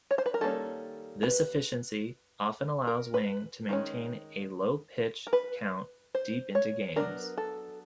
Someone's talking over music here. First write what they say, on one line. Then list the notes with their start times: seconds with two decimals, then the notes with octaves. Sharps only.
This efficiency often allows Wang to maintain a low pitch count deep into games.
0.11 C#5
0.18 C5
0.26 B4
0.34 A#4
0.41 D#3 G3 A#3 C#4 A4
1.23 B4
2.87 A#4
3.14 B4
3.69 D#3 G#3 C#4
5.27 A#4
5.33 B4
6.15 C5
6.55 C#5
6.96 F#3 B3 D4 A#4
7.38 A4